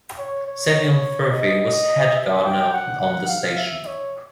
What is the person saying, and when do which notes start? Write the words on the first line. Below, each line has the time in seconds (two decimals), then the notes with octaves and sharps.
Samuel Furphy was head gardener on the station.
0.18 C#5
0.47 C#5
1.32 D#5
2.16 E5
2.45 G5
2.73 F#5
3.02 F#5
3.29 F5
3.58 E5
3.87 C#5